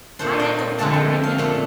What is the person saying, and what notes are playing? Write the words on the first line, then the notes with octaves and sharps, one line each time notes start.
High angle fire, inyah!
A#2 A3 D4 C5
D#5
G5
F2 D3 A3 D4 A5
G5
F5
A#2 A3 D4